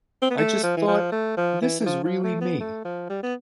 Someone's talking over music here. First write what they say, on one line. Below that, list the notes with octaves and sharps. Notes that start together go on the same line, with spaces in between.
I just thought, 'This is really me.
C4
B3
A3
F3
E3
F3
A3
F3
E3
E3
F3
F3
A3
B3
A3
F3
G3
B3